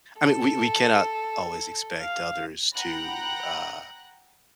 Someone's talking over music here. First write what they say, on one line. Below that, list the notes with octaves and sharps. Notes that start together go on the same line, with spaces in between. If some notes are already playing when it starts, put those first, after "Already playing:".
I mean, we we cannot always expect others to, uh
A4
F5
F#5 G5 A#5 B5 F#6 A#6